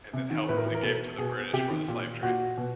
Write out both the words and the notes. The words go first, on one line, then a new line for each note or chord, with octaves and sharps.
and then helped and gave 'em to the British for the slave trade,
C3
D#3
A2 B4
A#4
E3
A#4
B2 A4
B2 G#4
C3 G4
D#3
A#2
A#2 F#4
B2